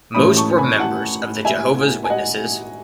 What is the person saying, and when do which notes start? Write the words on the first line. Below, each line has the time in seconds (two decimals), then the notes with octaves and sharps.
Most were members of the Jehovah's Witnesses.
0.14 A2 E3 A3 C#4 B5 D#6
0.37 A5 C#6
0.58 G#5 B5
0.80 F#5 A5
1.45 E5 G#5
2.04 G#5
2.10 D#5 F#5